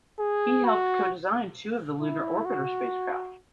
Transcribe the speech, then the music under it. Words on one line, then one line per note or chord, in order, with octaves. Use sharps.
He helped co-design two of the Lunar Orbiter spacecraft.
G#4
F#4
E4
F#4